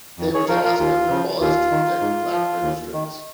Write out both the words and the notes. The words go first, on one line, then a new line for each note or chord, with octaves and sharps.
They were to ask Governor Wallace to protect black registrants.
F2
G#4 C#5
F3 F4 A#4
F4 A#4
D#2 F4
C#3 F3
D#2 F4
D#3
G#2
F3
D#2
D#3